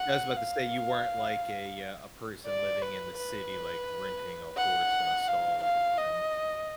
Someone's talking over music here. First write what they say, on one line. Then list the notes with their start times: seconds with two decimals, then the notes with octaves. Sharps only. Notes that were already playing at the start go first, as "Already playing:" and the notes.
I was about to say, you weren't like a, uh, a person living in the city, like, renting a horse in a stall, or something.
Already playing: F#5
0.36 F5
2.46 D5
2.81 B4
3.17 B4
4.57 F#5
5.28 F5
5.63 F5
5.98 D#5